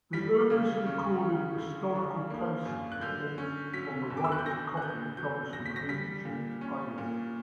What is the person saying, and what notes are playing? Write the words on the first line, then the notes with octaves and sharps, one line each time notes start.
The earliest recorded historical case-law on the right to copy comes from ancient Ireland.
G3 B6
C#3
C#4
C#3
D3
D4
A#3
F#2
F#6
D3 G6
C#4
F#3 B6
E2
D6
E6
F#6
G6
D3 A#6
F#6
B3 G6
F#3 G6
E2 A#6
B6
A#6
G3 B6
A#2
C#4
A#2